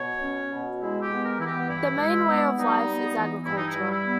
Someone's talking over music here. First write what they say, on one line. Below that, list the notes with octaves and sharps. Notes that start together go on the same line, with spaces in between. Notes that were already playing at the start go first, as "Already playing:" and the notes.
The main way of life is agriculture.
Already playing: B2 C#5
C#4
B2
G#3 E4
G4
B3
A#4
E3 E4
G4
G2 E4
G#3
B3
G3 D#4
B3
E3
G2 E4
D#4
E4
G3
E4
B3